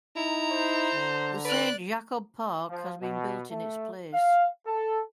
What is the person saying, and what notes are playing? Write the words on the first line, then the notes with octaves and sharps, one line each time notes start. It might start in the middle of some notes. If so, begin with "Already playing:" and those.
The Saint Jakob-Park has been built in its place.
D#4 E4 A#5
C5
D3
B4 D5 F#6
F3
B2
A3
F5
A4